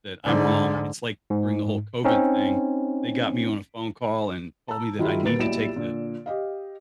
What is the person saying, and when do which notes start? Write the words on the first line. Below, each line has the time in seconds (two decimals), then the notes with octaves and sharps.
that I'm wrong. It's like, during the whole COVID thing, they got me on a phone call and told me that I need to take the
0.24 G#2 D3
1.30 G#2
2.05 C4 C#4 D#4
4.68 A5 A#5 E6
4.99 D#3 F#3 E4 F4 G#4
5.23 D#1 D2 A#3 B4 A6 D7
5.39 B1 A#2 G3 E4 D7 E7
5.76 A#2 D3
6.26 G4 D#5 F5